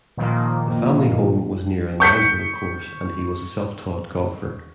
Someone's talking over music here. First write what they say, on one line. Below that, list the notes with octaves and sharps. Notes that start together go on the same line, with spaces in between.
The family home was near a nine-hole course and he was a self-taught golfer.
A#2 D#3 F3 A#3
C#6 G6 B6 C#7